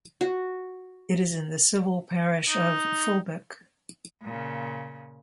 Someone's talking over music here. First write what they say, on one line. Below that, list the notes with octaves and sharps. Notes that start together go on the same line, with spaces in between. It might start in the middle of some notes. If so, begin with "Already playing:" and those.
It is in the civil parish of Fulbeck.
F#4
D#4
A#2 C#3